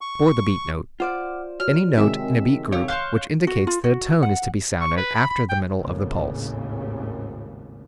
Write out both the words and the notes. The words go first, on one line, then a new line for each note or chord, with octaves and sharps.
Before-the-Beat Note: Any note in a beat-group which indicates that a tone is to be sounded after the middle of the pulse.
C#6
F4 C5 D5 F#5 D6 F6
F#4 C#5 F6
C3 D#3 G#3 E5
G4 C#5 F5 E6
F5 C6 C#6 F#6 G6 E7
F#4
F4
F#4
F#5
C#6
B4
B5
B5
G5
G#1 D#2 A2 C#3